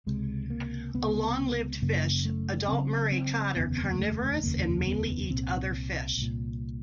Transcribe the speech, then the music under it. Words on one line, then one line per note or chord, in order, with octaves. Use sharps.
A long-lived fish, adult Murray cod are carnivorous and mainly eat other fish.
C#2 C3 G#3
A#3
C#2 C3 B3
F#1 F#2 C#3 A#3
A3
F#1 F#2 C#3 C4
C4
F1 D#2 C#3 B3
C4
B3
A#3
A3
F1 D#2 C#3 A#3
B3
C2 A#2 C4
C2 A#2